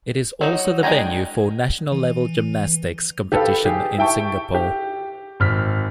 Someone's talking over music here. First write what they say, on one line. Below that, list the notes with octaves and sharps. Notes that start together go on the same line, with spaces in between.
It is also the venue for national-level gymnastics competition in Singapore.
F#3 D#4
G#3 D4 G5 G#5 A#5
E3
G4 A4 B4 F5
G4 G#4
E4 E5 G5 A5 C#6
G4
G#1 F6 B6